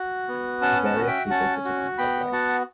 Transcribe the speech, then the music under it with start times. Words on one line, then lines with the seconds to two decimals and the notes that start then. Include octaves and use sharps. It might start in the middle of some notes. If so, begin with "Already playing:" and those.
Various people sitting on a subway.
Already playing: F#4
0.28 B3
0.61 C#4 F#5 A5
0.84 F#5 A5
0.96 F#4
1.07 E5 G5
1.30 C#4 F#5 A5
1.65 F#4
1.98 B3 G5 B5
2.32 F#4 F#5 A5